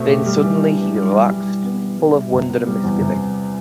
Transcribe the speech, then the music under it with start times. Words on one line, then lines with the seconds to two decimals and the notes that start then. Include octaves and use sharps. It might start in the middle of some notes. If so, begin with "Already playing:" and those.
Then suddenly he relaxed, full of wonder and misgiving.
Already playing: B2 A3 C4
0.09 G4
0.26 G3
0.43 E3
0.60 D4
0.78 E3
0.95 G3
1.11 E3
1.29 G3
1.47 E4
1.63 B3
1.80 E3
1.98 G3
2.15 E4
2.33 C3
2.50 B3
2.66 G3
2.84 E2
3.01 C3